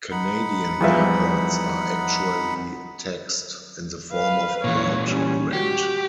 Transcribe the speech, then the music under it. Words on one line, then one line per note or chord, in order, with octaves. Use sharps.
Canadian airports are actually "taxed" in the form of ground rent.
D#4 F#5 B5
E2 F3 G3 F4 B4 E5
B4 F5
A#2 E3 C#5
G3 C#4
F#4 G4